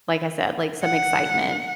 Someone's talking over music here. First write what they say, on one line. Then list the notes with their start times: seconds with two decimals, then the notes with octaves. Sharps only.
like I said, like, some excitement
0.84 F#5